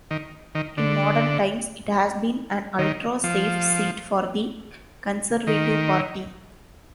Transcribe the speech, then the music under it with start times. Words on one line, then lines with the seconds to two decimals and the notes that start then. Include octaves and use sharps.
In modern times it has been an ultra-safe seat for the Conservative Party.
0.11 D#3
0.55 D#3
0.77 D3
2.79 D#3
3.24 F3
5.47 D#3